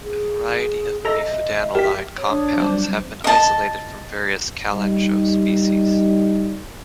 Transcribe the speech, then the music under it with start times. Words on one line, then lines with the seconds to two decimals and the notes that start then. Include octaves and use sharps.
A variety of bufadienolide compounds have been isolated from various "Kalanchoe" species.
0.03 G#4
1.05 A4 D#5 E5 A#5 A#6
1.75 G4 A#4 B6
2.16 C#5
2.29 D4 D#6
2.57 F#3 G3 C4 C5
3.24 D#5 A5
4.71 G3 D#4